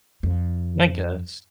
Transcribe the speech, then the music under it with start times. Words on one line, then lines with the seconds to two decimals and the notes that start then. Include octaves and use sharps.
I guess.
0.23 F2